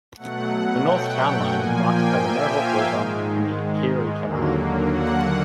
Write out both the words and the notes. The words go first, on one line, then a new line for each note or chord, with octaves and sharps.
The north town line is marked by the Mohawk River and the Erie Canal.
B2 F#3 A3 F#5
G5
A#2 F3 A#3 G#5
G5
E5
F5
G#2 D#3 G#3
D#2 D3 F#3 A#3
F#5